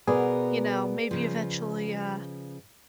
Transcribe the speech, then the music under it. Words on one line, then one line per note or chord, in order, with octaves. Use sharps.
you know, maybe eventually, uh,
B2 B3 G#4 A#4 B4 D5
C#3 F3